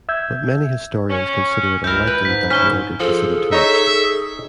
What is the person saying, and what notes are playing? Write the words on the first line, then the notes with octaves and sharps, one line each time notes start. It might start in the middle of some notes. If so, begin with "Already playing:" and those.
But many historians consider it unlikely that he ordered the city torched.
E5 E6 G6 G#6
C#4
C#2 E4 A#4 G6
B4
G#2 B6
C#4 E4 B6 G7
F3 G#4 A4
D#4 C#5 E5